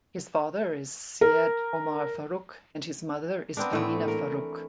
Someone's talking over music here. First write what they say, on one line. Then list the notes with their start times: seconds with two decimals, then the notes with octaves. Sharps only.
His father is Syed Omar Faruk and his mother is Tahmina Faruk.
1.21 A#4
3.57 B3 C4 D4 A#4
3.73 A2 E3 A3
4.08 A#4